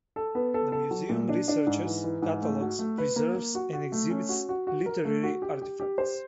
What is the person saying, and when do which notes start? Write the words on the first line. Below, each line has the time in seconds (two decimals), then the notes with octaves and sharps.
The museum researches, catalogs, preserves, and exhibits literary artifacts.
0.16 A4
0.35 B3
0.54 A4
0.72 A4
0.91 F#3
1.09 A#2
1.29 D4
1.48 D4
1.67 G#2
1.85 E3
2.04 E3
2.22 G#2
2.42 A3
2.61 F#4
2.79 A3
2.98 B4
3.16 A#3
3.35 A#3
3.55 F#4
3.73 F#4
3.92 A3
4.10 C#4
4.29 F#4
4.49 F#4
4.67 F#4
4.86 A#4
5.05 A3
5.23 F#4
5.42 G4
5.62 G4
5.80 G4
5.98 C5